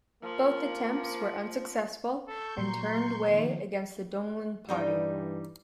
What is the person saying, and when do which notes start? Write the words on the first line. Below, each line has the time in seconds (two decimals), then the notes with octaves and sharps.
Both attempts were unsuccessful, and turned Wei against the Donglin party.
0.23 F3 A#3
2.27 A4 C#6 G6
2.58 A#2 F#3 A#5 C6
3.22 D#3 F3 A#3
4.69 G2 E3 G3 D#4 D5